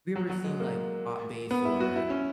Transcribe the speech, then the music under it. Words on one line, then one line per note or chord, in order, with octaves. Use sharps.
have you ever seen, like, Pop Bass or
F#3
F#3
G#3
A#3
B3
E4
F#4
E4
C#4